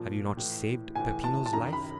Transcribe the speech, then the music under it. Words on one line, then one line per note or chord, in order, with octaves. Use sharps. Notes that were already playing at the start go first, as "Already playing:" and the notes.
"Have you not saved Peppino's life?"
Already playing: A#2 F3
A2 E3
A2 E3 G#5
A5
A5
F#2 D#3 A#5
B5